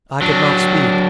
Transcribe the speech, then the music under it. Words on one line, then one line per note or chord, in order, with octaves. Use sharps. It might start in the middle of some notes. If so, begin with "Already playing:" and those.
I could not speak.
F#3 D4